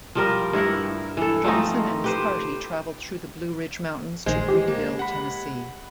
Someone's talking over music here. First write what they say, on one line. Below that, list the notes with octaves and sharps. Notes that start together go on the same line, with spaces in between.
Johnson and his party traveled through the Blue Ridge Mountains to Greeneville, Tennessee.
F3 G3 A#4
G2 E4 A#4 F#5
E3 A4
F3 A3 C4 D#4
G4 B4 C5
A#1 D#3 G#3 C5
G4
A#3
F#5 B5